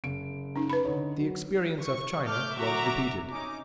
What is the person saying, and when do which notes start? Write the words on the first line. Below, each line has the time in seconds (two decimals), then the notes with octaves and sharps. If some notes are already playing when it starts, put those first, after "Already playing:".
The experience of China was repeated.
0.04 F#1 D7
0.56 C#4 D#4
0.70 B4 B5
0.85 D3 D#4 C#5
1.19 F#3
1.81 C#6
2.25 A3 D6 F6 G6
2.56 D3 F#3 F#4 E5 A#5 D6
3.31 C#4 D#4 D6